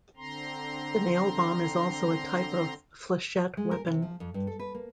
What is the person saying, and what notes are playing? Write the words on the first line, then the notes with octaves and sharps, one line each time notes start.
The nail bomb is also a type of flechette weapon.
D3 C4 A#5 C6
G#3
A#4
C3
F3
F2
G2
A4
B4
A#3